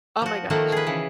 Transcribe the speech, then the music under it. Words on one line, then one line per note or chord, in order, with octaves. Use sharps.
Oh my gosh.
F3 F#4
D#3 F3 A3 A#3 F#4
G#4 B4
C#3 E3